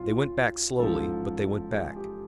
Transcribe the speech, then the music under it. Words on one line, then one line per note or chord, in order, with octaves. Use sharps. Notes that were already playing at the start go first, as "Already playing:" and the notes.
They went back slowly, but they went back.
Already playing: B1 B2 F4
A1 G#2 F3 A4
G#4
G4